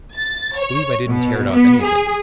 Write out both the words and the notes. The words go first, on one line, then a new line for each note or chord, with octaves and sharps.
I believe I didn't tear it off anything.
A6
C#5
B2
B3
G#4